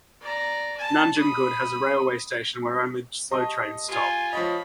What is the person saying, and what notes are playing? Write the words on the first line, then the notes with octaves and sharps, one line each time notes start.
Nanjangud has a railway station where only slow trains stop.
D5 A#5
A5
B5 D#6
G4 G#4 D#5 A5
F4 G4 G#5
F3 C#5 D#5 B5